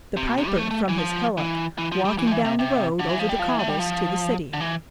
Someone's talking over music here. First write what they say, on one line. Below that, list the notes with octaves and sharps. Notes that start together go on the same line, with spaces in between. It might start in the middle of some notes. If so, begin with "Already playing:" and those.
The Piper, from his hillock, walking down the road, over the cobbles, to the city.
C3
B2
C3
G3
A3
A3
E3
F3
E3
E3
F3
G3
E3
F3
E3
C3
C3
D3
E3
F3
G3
F3
E3
A3
G3
F3
D3
E3